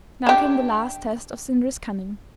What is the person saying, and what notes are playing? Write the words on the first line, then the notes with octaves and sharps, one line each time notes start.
Now came the last test of Sindri's cunning.
D4 G4